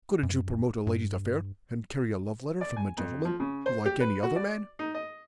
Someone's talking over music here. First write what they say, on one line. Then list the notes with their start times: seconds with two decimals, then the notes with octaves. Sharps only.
Couldn't you promote a lady's affair and carry a love letter from a gentleman, like any other man?
0.23 F#2
0.87 G2
2.61 D5
2.76 G#5
2.97 F2
3.25 F3
3.40 C#3
3.66 C5
3.86 G4
4.00 B4
4.23 F#4
4.36 D5
4.79 D#4
4.94 D#5